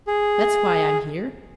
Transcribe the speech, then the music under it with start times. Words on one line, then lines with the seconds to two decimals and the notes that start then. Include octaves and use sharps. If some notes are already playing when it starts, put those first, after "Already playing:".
That's why I'm here.
0.07 G#4